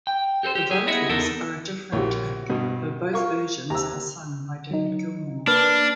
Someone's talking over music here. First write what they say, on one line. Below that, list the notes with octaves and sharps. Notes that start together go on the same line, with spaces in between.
The vocals are a different take, though both versions are sung by David Gilmour.
G5
G4 A4 A#4 C5
G4
G4 G#4
B3 E4 G#4 D#5 E5 F#5
E2 B3 D#4 A4 A#4
A#1 A#3 E4 F#4 G4 C#5
G2 B2
F4 A#4 C#6
D#2 C3 A#5 E6
F#3 D#4
A#3 D4 B4 F6